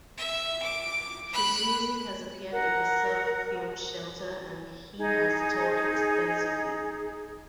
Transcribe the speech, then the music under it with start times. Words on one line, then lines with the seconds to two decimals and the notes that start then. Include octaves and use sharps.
His music has appeared in the surf film "Shelter" and he has toured extensively.
0.17 E5
0.62 D6
1.33 B5 F#6
2.51 A#4 F#5
4.98 D#4 G#4